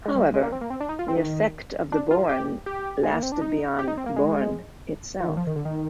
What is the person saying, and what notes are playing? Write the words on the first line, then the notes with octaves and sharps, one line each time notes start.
However, the effect of "Boerne" lasted beyond "Boerne" itself.
G#3
G3
G#3
A#3
C4
A#3
C4
D4
D#4
F4
C4
D#3
D4
F4
G4
G4
G#3
A#3
C4
D4
D#4
G4
D#4
C4
A#3
G#3
F3
D#3
F3
D#3
D3
D#3